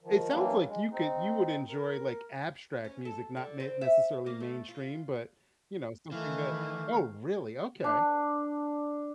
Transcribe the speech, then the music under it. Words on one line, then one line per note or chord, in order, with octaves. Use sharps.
It sounds like you could you would enjoy, like, abstract music, not ma necessarily mainstream, but, you know, something that Oh, really? Okay.
D#3 F3
E3 F#3 G3 A#3 D4
G#3
C4 D#4
A#4
C#4
A4
D3
C4
E5
A#3
A3
F4
D#3 E3 A3 F5
D4